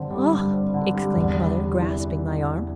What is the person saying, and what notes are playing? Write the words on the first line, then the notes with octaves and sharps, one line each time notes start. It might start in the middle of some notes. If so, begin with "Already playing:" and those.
"Oh!" exclaimed mother, grasping my arm.
Already playing: G2 D3 C4
G3
G2
C4
D3
G3
E2
G3
C3
E3